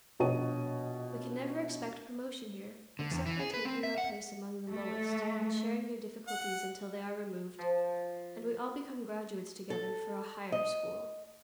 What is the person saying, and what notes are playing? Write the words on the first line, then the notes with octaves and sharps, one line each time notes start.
We can never expect promotion here, except by taking our place among the lowest, and sharing their difficulties until they are removed, and we all become graduates together for a higher school.
A#1 B2 C#5 D#5 D#7
D3
E2
E3
G#4
B4
C4
E5
F#5
A3
F#5
F3
A4
D#5